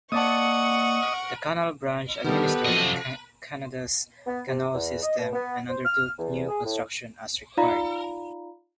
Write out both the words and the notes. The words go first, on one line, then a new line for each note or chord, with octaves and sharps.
The Canal Branch administered Canada's canal system and undertook new construction as required.
A#3 D5 D#5 F#5 A5 C#6 D#6
D#3 G3 B3 G4 A4
F#2 C3 F3 F#4 D#5
B3
C3
E2
D#5
B2
B3
C5
F6
E2
G#4
A2
D#4 F4 D5 F5 A#5 B5